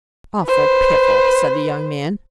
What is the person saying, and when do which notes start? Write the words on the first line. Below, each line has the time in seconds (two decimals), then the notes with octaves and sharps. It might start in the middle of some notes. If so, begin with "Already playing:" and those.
"Awful piffle," said the young man.
0.44 B4 C5